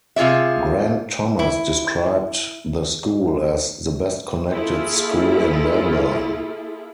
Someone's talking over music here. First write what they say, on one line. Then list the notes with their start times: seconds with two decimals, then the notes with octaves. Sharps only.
Grant Thomas described the school as 'the best-connected school in Melbourne'.
0.16 C3 F4 G#4 D5 E5
1.39 E4
4.51 A#3 E4 F4 G#4 A4